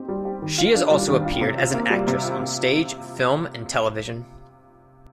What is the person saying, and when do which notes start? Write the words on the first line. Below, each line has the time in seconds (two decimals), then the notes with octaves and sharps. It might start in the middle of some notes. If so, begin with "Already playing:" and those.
She has also appeared as an actress on stage, film and television.
Already playing: C4 D#4 G4
0.08 G3
0.25 G4
0.42 D#3
0.58 F4
0.75 D4
0.91 G3
1.08 D#3
1.25 F4
1.41 C3
1.57 F4
1.74 A#3
1.90 G3
2.07 C3
2.24 F4
2.40 C3